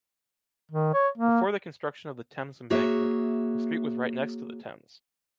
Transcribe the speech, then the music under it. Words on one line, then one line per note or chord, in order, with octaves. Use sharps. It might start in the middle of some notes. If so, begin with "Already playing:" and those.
Before the construction of the Thames embankment, the street was right next to the Thames.
D#3
C#5
A#3
A#3 F#4 G#4 C#5 E5